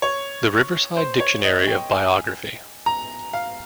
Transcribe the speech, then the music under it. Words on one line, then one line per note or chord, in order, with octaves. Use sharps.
The Riverside Dictionary of Biography.
C#5
C5
C#5
D#5
G5
G#5
A#5
F5